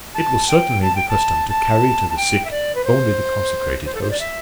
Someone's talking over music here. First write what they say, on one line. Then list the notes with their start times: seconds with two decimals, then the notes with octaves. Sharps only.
It was certainly the custom to carry to the sick only the consecrated Host.
0.14 A5
0.48 G5
0.82 A5
0.95 G5
1.09 A5
1.49 A5
2.10 A5
2.17 G5
2.45 E5
2.51 D5
2.75 B4
2.84 C5
3.86 C5
3.95 A4
4.02 C5
4.11 D5
4.20 E5